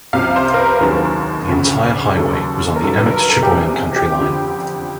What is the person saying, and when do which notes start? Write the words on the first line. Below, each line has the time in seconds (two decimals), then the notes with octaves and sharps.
The entire highway was on the Emmet-Cheboygan county line.
0.13 C2 C3 F3 F5
0.36 C5
0.54 A#4
0.59 B4
0.80 D#2 D#3 F#3 G#4
1.48 D2 C#3 F3
2.16 D#2 C#3 F#3 A4
2.76 A#4
2.84 G2 D#3 F#3 A4
2.97 B4
3.06 A#4
3.29 A4
3.43 G4
3.51 E2 C3 F3 G#4
3.96 G4
4.19 F2 D3 F3